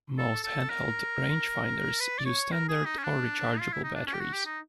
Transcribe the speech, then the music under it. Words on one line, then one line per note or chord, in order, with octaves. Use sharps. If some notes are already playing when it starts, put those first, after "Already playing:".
Most handheld rangefinders use standard or rechargeable batteries.
A4
A4
A#4
B4
D5
C#5
A#4
G#4
D#4
C#4
D4
F4
E4
D#4
D4
C#4
G4
F#4
G4
D#4